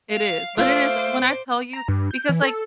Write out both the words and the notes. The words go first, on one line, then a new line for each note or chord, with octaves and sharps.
it is. But it is when I tell you because, like,
F5
A3 F4 C5 D6
A#5
G2
G6
E3
A4